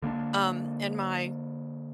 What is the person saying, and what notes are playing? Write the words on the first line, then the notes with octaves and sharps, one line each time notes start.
um, and my
D3 A#3 C4 D4